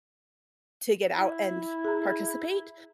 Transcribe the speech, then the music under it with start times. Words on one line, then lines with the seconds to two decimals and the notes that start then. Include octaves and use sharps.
to get out and participate.
1.12 E4
1.85 G#4 A#5